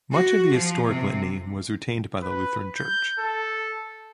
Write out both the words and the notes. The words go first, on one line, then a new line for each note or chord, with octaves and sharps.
Much of the historic Litany was retained by the Lutheran Church.
F#4
F3
C3
B4
G6
A4